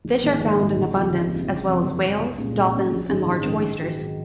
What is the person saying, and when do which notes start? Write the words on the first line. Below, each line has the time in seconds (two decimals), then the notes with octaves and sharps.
Fish are found in abundance, as well as whales, dolphins and large oysters.
0.05 A#1
0.24 G#2 D#3 A#3 D#4
0.42 A#1
0.59 G#2 D#3 A#3 D#4
0.77 F#1
0.94 F2 C3 F3
1.12 F#1
1.30 F2 C3 F3
1.48 F#1
1.65 F2 C3
1.84 F#1
2.01 F2 C3
2.19 C2
2.38 A#2 G#3 C#4
2.55 C2
2.74 A#2 G#3 C#4
2.91 A#1
3.09 G#2 D#3 G#3 C#4
3.27 A#1
3.44 G#2 D#3 G#3 C#4
3.63 G#2
3.80 D#3 F#3
3.99 G#2